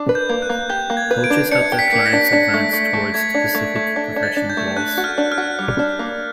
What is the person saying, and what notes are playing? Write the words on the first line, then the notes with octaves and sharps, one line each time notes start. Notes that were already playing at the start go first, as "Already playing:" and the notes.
Coaches help their clients advance towards specific professional goals.
Already playing: D4
B4
G6
A#3
F#6
A#3
G4 G6
A#3
G#6
B4
D7
D4
D4 C#7
G4
B6
A#3
A#6
D4
D4
A3
A3
A3
A3 G#6
D4
A3
A3
D4
D4
A6
D4
G6
A3
D4 F#6
F#4
F6
D4
F6
F#4
G3
D4
A#3